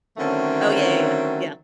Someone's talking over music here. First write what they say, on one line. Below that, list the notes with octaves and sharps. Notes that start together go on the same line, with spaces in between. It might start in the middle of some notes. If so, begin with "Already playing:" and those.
Oh, yeah, yeah, yeah. Yeah.
D3 D#3 F#3 A3 C4 C#4